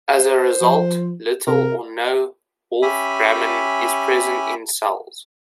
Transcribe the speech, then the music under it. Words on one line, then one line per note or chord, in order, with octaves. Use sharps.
As a result, little or no wolframin is present in cells.
C5
F3
C3 A#4
C#4 G4 E5 G#5 B5